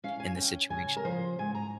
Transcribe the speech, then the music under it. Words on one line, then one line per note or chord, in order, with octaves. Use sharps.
in this situation."
C#4 F5
G#5
C#4 G5
C#3 G#5
A#4
F3 C5
G#2 G#5
A#5